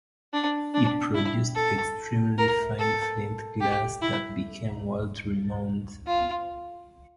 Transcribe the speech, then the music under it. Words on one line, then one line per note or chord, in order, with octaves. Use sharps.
It produced extremely fine flint glass that became world-renowned.
D4
D4
E4
A4
A#4
A4
G4
E4
F4